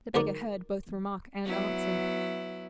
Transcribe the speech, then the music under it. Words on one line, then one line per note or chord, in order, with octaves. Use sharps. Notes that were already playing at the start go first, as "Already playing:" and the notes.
The beggar heard both remark and answer.
D2 G#2 A#4 D5
F#3 B3 E4